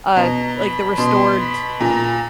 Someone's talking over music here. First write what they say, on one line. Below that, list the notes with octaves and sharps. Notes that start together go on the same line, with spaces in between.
uh, like, the restored,
B2 A#5
B5
B2 C6
B5
A#2 A#5